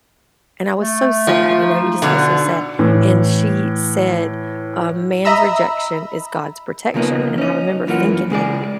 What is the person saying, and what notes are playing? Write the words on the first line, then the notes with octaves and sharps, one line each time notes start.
and I was so sad, you know, you just feel so sad, and she said, um, "A man's rejection is God's protection," and I remember thinking like,
A3
F3
D#4
B2 D3
A2 E3
D#5 E5 A#5 B5 E6
C#3 F3 G3 A#3 B3 D#4
C#4 D#4
F#2 E3 A#3 F4 F#5
C#3 G#3 G#4 D5